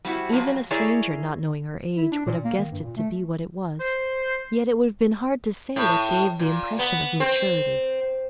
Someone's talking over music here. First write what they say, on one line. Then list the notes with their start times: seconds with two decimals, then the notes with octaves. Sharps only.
Even a stranger, not knowing her age, would have guessed it to be what it was, yet it would have been hard to say what gave the impression of maturity.
0.05 G3 C4 E4 F#4
0.32 F2 F#3 G3 C4
0.71 E4 G#4 A#4 C#5 D5 E5
1.97 E4
2.12 D4
2.26 A#2
2.44 A#3
2.58 D#3
2.71 G2
2.83 A#2
2.96 A3
3.80 C5
5.76 A2
6.39 A#2
6.79 B3
7.20 C4